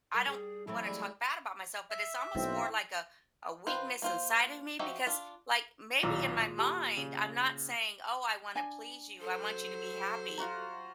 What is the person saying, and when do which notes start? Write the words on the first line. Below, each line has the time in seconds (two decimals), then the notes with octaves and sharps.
I don't wanna talk bad about myself, but it's almost more like a a weakness inside of me because, like, maybe in my mind, I'm not saying, "Oh, I wanna please you. I want you to be happy,"
0.14 G3 A#4
0.27 G3 G#4
0.67 E3 F#3 A3 C4 E4
0.86 G3 G#3
1.90 E5
2.35 B1 C4 E4
3.67 D#3 F4 B4 C5
4.02 A#3 F4 C5
4.79 F3 D#4 F#4 G4 E5
5.07 D4 F4
6.03 B1 A#2 D#3 E4 A#5 E6
6.58 G4 A4 A5 D#6
6.97 C#3
8.55 D4 G#5
9.21 F#3 A4 C5
10.38 F4 F#4 A#5